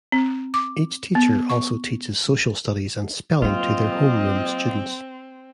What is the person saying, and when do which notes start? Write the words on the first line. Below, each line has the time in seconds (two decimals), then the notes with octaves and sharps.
Each teacher also teaches social studies and spelling to their homeroom students.
0.12 C4
0.54 D6
1.15 B3
1.50 C#6
3.42 F#3 A#3 C4 F4 D#5